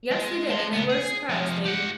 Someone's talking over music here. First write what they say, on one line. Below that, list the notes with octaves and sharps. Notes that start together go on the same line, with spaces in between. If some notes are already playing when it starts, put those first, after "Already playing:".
Yes, they did and they were surprised. They
G#3
A5 C6
C#2 B3
G#4
C3 F3
G4 F#5